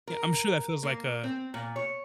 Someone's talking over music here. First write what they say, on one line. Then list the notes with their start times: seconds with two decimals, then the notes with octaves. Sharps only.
Yeah, I'm sure that feels like, uh
0.07 A#4
0.83 A#3
1.24 C4
1.54 A#2
1.76 C#5